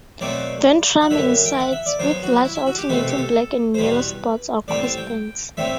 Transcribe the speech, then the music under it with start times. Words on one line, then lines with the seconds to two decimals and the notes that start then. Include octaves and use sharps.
Ventrum and sides with large alternating black and yellow spots or crossbands.
0.21 B2 F#3 A3 C4 D5
1.01 F#5
1.10 F#2 D3 G3 E5
1.45 G5
1.59 F#5
1.72 E5
1.86 D5
1.99 G2 F#3 B3 C5
2.23 F#4
2.45 E4
2.55 E4
2.66 F#4
2.78 G4
2.89 C2 B2 A3 C4 B4
2.99 A4
3.09 G4
3.18 A4
3.74 C5
3.78 E2 B2 G3 B4
4.68 A2 G3 C4 D5
4.83 A5
4.97 G5
5.57 A2 G3 C4 E5